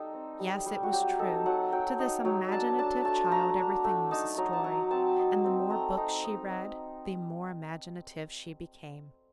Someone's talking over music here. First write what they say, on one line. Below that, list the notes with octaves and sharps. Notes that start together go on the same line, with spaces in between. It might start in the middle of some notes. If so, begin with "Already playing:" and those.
Yes, it was true; to this imaginative child everything was a story; and the more books she read, the more imaginative she became.
Already playing: G3 D#4 A4
C4
G3
G3
F#4
F#3 G4
D#4 A4
F#3 F#5
F#3 G5
D#4
F#3
D4 A5
D4 A5
A3 A5
A3 A#5
D4
A3
D#4 A5
F#3 A#5
A5
F#3 A#5
C4 A5
D#4
C4
A3 A#5
D#4 A#5
D#4
D#4